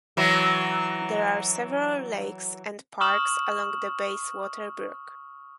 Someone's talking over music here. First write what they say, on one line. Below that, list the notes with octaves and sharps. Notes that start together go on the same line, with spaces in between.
There are several lakes and parks along the Bayswater Brook.
E3 F#3
C#6 D#6 F6 E7 F#7